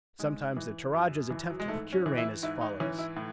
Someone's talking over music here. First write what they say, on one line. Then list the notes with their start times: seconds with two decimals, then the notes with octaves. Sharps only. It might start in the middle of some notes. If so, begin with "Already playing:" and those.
Sometimes the Toradjas attempt to procure rain as follows.
0.19 G#2 G#3
0.57 E3
0.93 F#2
1.31 E3
1.50 F#3
1.60 G#3
1.68 G#2 A3
1.93 C#4
2.06 E3
2.18 E4
2.43 G#2 E4
2.61 D#4
2.80 E3 C#4
2.99 E4
3.17 A2